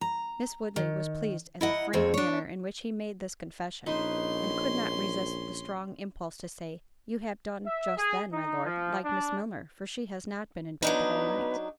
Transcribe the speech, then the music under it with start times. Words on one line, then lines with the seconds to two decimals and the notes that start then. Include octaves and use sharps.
Miss Woodley was pleased at the frank manner in which he made this confession, and could not resist the strong impulse to say, "You have done just then, my Lord, like Miss Milner, for she has not been in bed the whole night."
0.01 A#5
0.76 D#3
1.61 E4 D#5 F#5 A#5
1.93 F2 G#3 C4 C#5
2.14 D4 C#5
3.86 A#1 C#4 D#4 B4 C5 C6
7.66 E5
7.98 G#4
8.33 D#4
8.65 F3
9.04 D4
10.82 F#3 B3 D4 D#4 B4